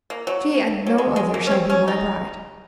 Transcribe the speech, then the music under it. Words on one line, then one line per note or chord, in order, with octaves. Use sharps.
She, and no other, shall be my bride.'
A#3
F#3
F#3
G#3
G#3
A#3
C#4
C4
C#4
D#4